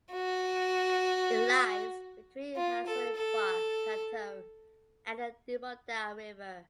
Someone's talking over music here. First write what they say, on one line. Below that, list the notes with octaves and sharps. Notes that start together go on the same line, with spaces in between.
It lies between Hazaribagh Plateau and the Damodar River.
F#4
F4
A4
A4